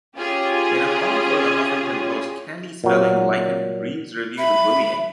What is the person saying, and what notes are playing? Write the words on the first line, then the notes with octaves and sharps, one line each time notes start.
In a column for "The Huffington Post", Candy Spelling likened Reed's review to bullying.
C#4 F4 G4 G#4
A#2 F#3
E5 B5